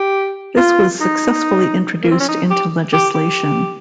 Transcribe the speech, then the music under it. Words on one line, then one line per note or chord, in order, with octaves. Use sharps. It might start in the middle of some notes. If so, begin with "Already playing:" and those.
This was successfully introduced into legislation.
Already playing: G4
F4
D#4
A#3
C4
C#4
D#4
G4
G4
G4